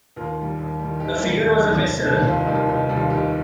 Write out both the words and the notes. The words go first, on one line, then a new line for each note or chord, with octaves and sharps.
The figure was a best seller.
D#2 F4 A#4
D#3 G3
D#2
D#3 G3
D#2 D#4 G4
D#3 G3
D#2
D#3 G3
F1
D#2 D#3 G3
F1 F4
D#4
D#2 D#3 G3
F4
F1 D#4
D#2 D#3 G3
F4
F1 D#4 G4